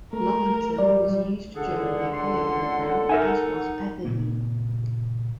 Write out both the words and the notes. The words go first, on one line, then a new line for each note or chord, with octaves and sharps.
Lomotil was used during the Apollo program, as was pethidine.
A3 A#4
G3 D5
C#2 D3 G#4 A4 F#5
C6
D#4 A#4 E5 G#5
A#2 C#3 A#3